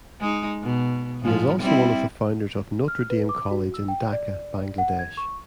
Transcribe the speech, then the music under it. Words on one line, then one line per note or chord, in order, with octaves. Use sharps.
He is also one of the founders of Notre Dame College in Dhaka, Bangladesh.
G#3 D#4
B2
G#2 F3
G3 C4 E4
F6
B4
D6
F#4
E6
G5
D5
F#5
G#6
C#6